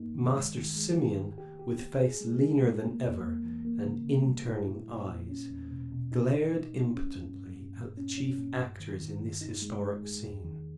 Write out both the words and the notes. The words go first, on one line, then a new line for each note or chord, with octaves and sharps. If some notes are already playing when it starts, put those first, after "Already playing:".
Master Simeon, with face leaner than ever and inturning eyes, glared impotently at the chief actors in this historic scene.
Already playing: G2 A#3 D#4
D#3
G#3
D#3
G#3
D#3
G4
G4
G4
B3
G#4
G#3
G#4
G#3
A#3
E2
A#3
E3
A#3
C#3
C#3
G3
E4
A#2
A#2
A#2
C#4
E2
B2
B2
D#4
D#4
D#4
G3
C#4
G2
G2
G2
A#2
C#4
C#4
A#2
G2
D#3
D#3
G2
D#4
G#3
G#3
G#4
E2
D#3